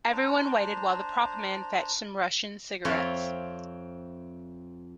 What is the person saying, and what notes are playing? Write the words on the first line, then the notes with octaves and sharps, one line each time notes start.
Everyone waited while the prop man fetched some Russian cigarettes.
D4 C5 A#5
F2 C4 F4 C#5 E5